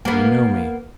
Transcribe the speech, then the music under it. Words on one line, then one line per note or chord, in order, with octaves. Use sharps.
"Do you know me?"
A#3 B3